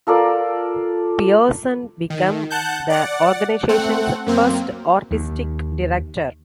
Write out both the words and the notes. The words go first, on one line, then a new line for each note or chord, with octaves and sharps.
Pearson became the organisation's first artistic director.
F4 A4 A#4 D5
D#3
F#5 A5 F#6 G6
D5 F#5
A3 C4 F#5
F#2 A#3 C4
D#2